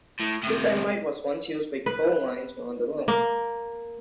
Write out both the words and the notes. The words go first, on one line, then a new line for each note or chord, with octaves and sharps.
This dynamite was once used by coal mines around the world.
A2
A2 C3
B4
A#3